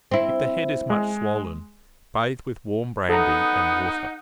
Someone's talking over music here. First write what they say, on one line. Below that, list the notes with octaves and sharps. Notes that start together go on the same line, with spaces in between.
If the head is much swollen, bathe with warm brandy and water.
C4 E4
G#3
B3 D#4 A4 F#5 A#5